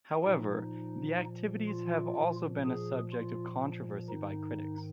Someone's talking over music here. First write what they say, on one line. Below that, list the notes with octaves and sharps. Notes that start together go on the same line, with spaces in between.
However, the activities have also been a subject of controversy by critics.
A#2 F3 D#4
F4
A#2 F3
G#4
F4
G#2 D#3 D#4